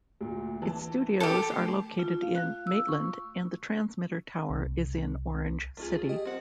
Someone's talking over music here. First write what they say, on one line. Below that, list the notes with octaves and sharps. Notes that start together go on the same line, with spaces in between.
Its studios are located in Maitland and the transmitter tower is in Orange City.
D2 A#2
E3 A5
G4 A4
A3
F4
F5
F#6
E6
C#6
C2
A3 F4 G#4
G4 D#5
C4 F#5